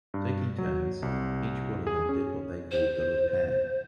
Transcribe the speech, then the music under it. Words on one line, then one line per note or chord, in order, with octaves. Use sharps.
Taking turns, each one of them did what they called the repair.
G2
F#3
C2
G#4
C#4
C5